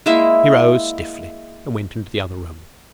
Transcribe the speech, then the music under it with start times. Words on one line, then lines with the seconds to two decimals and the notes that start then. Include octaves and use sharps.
He rose stiffly and went into the other room.
0.06 G#3 A#3 E4 E5